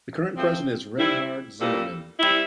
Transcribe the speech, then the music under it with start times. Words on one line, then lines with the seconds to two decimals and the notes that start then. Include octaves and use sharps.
The current President is Reinhard Zimmermann.
0.36 F3 A3 C4
0.97 G3 C4 E4
1.59 A#2 G3 A#3 E4 A4
2.20 G3 C4 E4